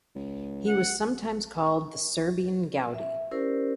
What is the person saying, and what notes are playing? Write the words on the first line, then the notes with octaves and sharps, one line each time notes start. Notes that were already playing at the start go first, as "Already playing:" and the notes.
He was sometimes called "the Serbian Gaudi".
C#2
F#5
E5
C#4 E4 G4 A#4 C5 D5